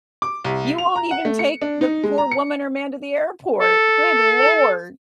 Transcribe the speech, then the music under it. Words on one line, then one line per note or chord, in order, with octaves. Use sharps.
you won't even take the poor woman or man to the airport. Good Lord.
D6
C2
F7
A#5
F#5
A3
C#7
D4
D#4
G#3
A#5
C#7
A4